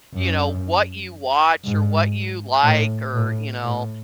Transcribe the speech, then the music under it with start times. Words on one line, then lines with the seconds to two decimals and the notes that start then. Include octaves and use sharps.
you know, what you watch, or what you like, or you know
0.13 F#2
1.64 G#2
2.64 A2
3.14 A2
3.64 A2